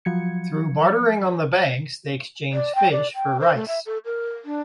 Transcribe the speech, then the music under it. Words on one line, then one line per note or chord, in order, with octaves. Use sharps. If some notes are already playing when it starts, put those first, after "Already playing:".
Through bartering on the banks, they exchange fish for rice.
F3 F#3 G#6 C#7
D5
G5
D5
G5
C5
A3
E5
A4
A#4
D4